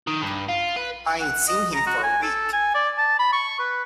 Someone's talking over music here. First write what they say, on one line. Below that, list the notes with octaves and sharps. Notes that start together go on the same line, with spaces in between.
I ain't seen him for a week.
D#3
G2
F4
B4
F#5
D#5
A#5
F#4
G#5
A4
G#5
D5
A5
B5
C#6
B4